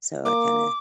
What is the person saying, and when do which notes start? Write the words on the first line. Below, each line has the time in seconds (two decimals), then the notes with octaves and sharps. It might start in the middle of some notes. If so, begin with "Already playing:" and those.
So I kinda
0.25 A#3 D6